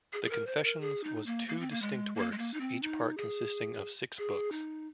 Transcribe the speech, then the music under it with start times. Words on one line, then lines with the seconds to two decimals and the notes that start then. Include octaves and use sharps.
The "Confessions" was two distinct works, each part consisting of six books.
0.13 G#4
0.24 G#4
0.30 A#4
0.47 C5
0.63 A#4
0.81 G#4
1.04 D#4
1.26 A#3
1.48 A#3
1.60 C4
1.71 A#3
1.82 G#3
2.16 A#3
2.32 G#3
2.38 A#3
2.54 D#4
2.61 C4
2.83 D#4
3.17 G#4
4.18 G#4
4.52 D#4